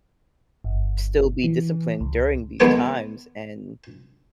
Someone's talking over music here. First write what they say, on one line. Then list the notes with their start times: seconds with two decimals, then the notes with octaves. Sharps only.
still be disciplined during these times, and,
0.64 G1
1.44 E3
2.01 C#2
2.60 D#2 G#3 B3 A4 C#5 D6